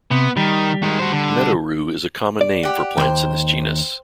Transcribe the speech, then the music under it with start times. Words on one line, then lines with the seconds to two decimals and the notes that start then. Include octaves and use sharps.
Meadow-rue is a common name for plants in this genus.
0.11 C3 B3
0.37 D#3 G3
0.83 D#3 G#3
0.99 F#4 C5
1.12 D3
2.41 D5
2.63 G4 F#5
2.98 D#2 C5 G5